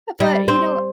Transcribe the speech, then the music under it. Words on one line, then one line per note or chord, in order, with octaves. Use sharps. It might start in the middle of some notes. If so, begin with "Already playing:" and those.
but, you know
G3
C4